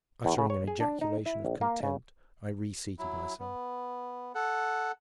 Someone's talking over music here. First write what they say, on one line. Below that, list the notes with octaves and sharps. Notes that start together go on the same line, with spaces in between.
Uttering an ejaculation of contempt, I reseated myself.
E2
C#3
C#5
G#4
D4
D#4
E4
A#1
A#3
C#3
F#3 E4
B3
A4 F#5